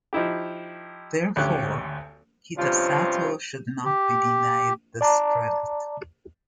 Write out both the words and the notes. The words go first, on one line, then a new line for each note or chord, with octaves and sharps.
Therefore, Kitasato "should not be denied this credit".
F3 D#4 E4 G4
G#1 D2 C#4 G4 F#6
G2 C3 F3 C#4 F4
G4
D5 A5 A#5 D6